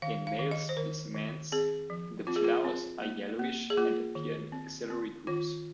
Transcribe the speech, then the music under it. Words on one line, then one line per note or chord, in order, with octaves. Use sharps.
In male specimens, the flowers are yellowish and appear in axillary groups.
D#3 F5
F5
D#3
D#5
C5
D#3 A#4
D#3
C4 G#4
F3
C4 F4
G#4
F4
C4
A#3
A#3
G#4
A#3 F4
D#3
C4
C4
D#3 F4